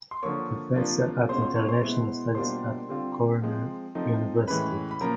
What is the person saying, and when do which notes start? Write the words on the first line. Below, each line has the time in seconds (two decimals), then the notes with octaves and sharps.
Professor of International Studies at Cornell University.
0.11 C6
0.23 D3 F3 A#3 C#5 C#6
0.75 C3 F3 A#3 D4 F4
1.29 B2 G#3 C#4 F4 C5 C6
1.42 C5 C6
1.55 C#5 C#6
1.68 C5 C6
1.82 B2 G#3 B3 E4
2.35 B2 G3 A#3 D4 F4 C5 C6
2.89 D3 G3 C4 F4
3.42 F3 G#3 C4
3.95 F3 A3 C4 D#4
4.47 A2 E3 G#3 C#4 B4 B5
4.91 B5
5.01 A#2 F3 C#4 A#4 A#5